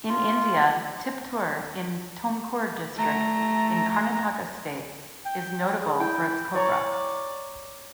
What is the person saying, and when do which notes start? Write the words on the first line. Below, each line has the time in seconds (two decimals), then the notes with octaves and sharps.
In India, Tiptur in Tumkur district in Karnataka state is notable for its copra.
0.09 F4
2.96 A3 A#5
5.25 G5
5.81 G#4
6.00 E4 G5
6.55 C#5 D5 A#5 C#6